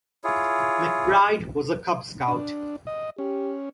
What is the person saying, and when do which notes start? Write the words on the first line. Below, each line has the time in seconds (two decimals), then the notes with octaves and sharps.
McBride was a Cub Scout.
0.24 E4 F4 G#4 C#5
2.28 D4
2.87 D#5
3.18 C#4 G4